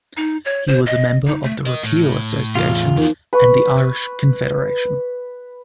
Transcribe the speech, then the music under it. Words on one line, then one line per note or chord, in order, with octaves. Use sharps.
He was a member of the Repeal Association and the Irish Confederation.
D#4
C#5
C5
D#5
D#4
A3
A#4 D#5
A2
E2 F4
E3 F3 D#4 A#4
B4 B5 C#6